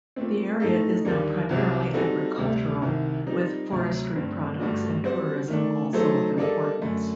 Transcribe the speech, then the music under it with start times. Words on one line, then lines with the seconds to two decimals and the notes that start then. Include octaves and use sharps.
The area is now primarily agricultural, with forestry products and tourism also of importance.
0.16 A#2 A3 C4
0.60 A2 A3 D#4 A4
1.05 D#2 D3 G3 A#3
1.49 C2 C3 F#3 C4 G4
1.94 G3 C4 D#4 F#4 A4
2.38 D2 C3 G3
2.82 C2 C3 D#3
3.26 A#2 G3 C4 D#4
3.71 D2 C3 F#3
4.16 G2 D3 A3 C4
4.59 G2 D3 A3 D4 F#4
5.04 G3 C4 F#4 C5
5.48 D#3 A3 D4
5.93 F#3 A3 D#4 A4 C5
6.37 G3 A#3 D4 A4 D#5
6.82 F#2 D3 A3